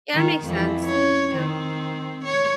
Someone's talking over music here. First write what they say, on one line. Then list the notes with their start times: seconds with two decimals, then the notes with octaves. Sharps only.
Yeah, that makes sense, yeah.
0.13 D#3
0.44 F2 E3
0.85 C#4 C#5
1.32 D#3 C4
2.25 C#5